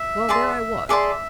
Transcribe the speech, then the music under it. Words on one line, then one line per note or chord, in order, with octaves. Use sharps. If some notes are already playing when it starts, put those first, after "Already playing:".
Well, there I was.
Already playing: E5
G#4 D5 A5 C6
G#4 D5 E5 A5 C6